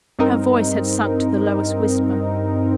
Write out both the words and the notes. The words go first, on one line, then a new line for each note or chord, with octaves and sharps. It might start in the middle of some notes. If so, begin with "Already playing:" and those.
Her voice had sunk to the lowest whisper.
G2 C4 D#4 A#4